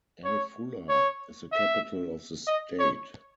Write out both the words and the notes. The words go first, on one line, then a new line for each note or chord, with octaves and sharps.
Al-Fulah is the capital of the state.
C#5
C#5
E5
D#5
C#5